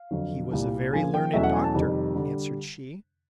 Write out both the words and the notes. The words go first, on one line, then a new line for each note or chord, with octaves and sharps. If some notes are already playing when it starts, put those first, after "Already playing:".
'He was a very learned doctor,' answered she.
Already playing: F5
F2 D3 F#3
C2 A#2 G3
C#3 F3 A#3 G#5
G5
E2 B2 F#3 A3 C#4 E5
F#5
G#5
A5
F2 C3 D#3 G3
D3 G3